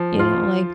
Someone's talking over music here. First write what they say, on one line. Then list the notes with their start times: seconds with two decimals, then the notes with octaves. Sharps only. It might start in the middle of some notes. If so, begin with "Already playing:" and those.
you know, like,
Already playing: F3
0.19 F4